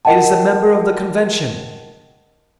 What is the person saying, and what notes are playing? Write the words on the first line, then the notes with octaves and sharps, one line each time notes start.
It is the member of the Convention!
A#4 D#5 F#5 G5 A5